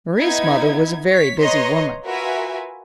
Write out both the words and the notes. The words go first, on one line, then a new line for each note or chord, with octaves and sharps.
Mari's mother was a very busy woman.
B3 D#4 E4 G#6
C#5 B6
B4 C#5 D#5 A#5 C6
F4 F#4 A#4 B4 E5 G#5